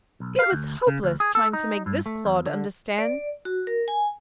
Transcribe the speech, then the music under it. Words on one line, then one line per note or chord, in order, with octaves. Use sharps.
It was hopeless trying to make this clod understand.
B1
F5
D2
C#3
D2
G#4
A4
D#4
G2
A3
E2
D3
D5
F#4
A#4
G#5